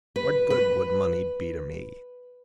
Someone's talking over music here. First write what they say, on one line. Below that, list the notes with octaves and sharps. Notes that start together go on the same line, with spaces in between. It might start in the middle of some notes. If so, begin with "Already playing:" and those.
What good would money be to me?
B4
B4